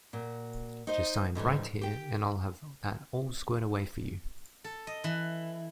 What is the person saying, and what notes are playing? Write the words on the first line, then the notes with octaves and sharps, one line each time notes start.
Just sign right here and I’ll have that all squared away for you.
A#2 F#4
D#4 C5 D#5
G#2 D3 E3 G3
G4 G5
A4
D#5
E3